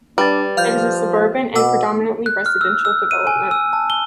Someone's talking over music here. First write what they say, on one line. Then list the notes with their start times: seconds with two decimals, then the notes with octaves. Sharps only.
It is a suburban and predominantly residential development.
0.18 G3 D4 B4 A6
0.57 F3 F5 F6 G6
1.55 B2 F#5 D6 E6
2.26 F#6
2.46 F6
2.61 E6
2.85 E6
3.11 D#7
3.27 G#5
3.51 E6
3.73 A5
3.90 G7